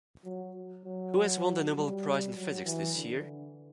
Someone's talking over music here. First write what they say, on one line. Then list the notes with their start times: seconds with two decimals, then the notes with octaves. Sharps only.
Who has won the Nobel Prize in Physics this year?
0.24 F#3
0.85 F#3
1.75 G3
2.35 F#3
2.65 E3
2.95 D3